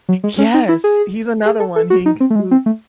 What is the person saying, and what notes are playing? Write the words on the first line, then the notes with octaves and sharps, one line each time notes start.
Yes, he's another one, he c ooh,
F#3
G#3
C#4
D#4
E4
G#4
G#4
A4
A4
F#4
D#4
C4
A3
G#3
C4
A3